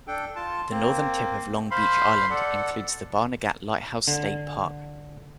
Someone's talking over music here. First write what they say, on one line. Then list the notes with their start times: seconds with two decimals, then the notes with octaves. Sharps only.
The northern tip of Long Beach Island includes the Barnegat Lighthouse State Park.
0.07 D4 A4 G5
0.36 F4 A5
0.71 A#3 C4
1.71 C5 F5 B5 C6
2.30 A4 D5 F#5
4.08 D3